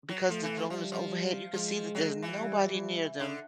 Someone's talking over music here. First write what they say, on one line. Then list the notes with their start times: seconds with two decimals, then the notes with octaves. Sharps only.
because the drone is overhead, you could see that there's nobody near them
0.09 F#3
0.29 F3 A3
0.43 E3
0.57 F3
0.70 F3 G3
0.92 F3
1.53 F3 G#3
1.95 F#3
2.22 E3
2.37 G3
3.20 D3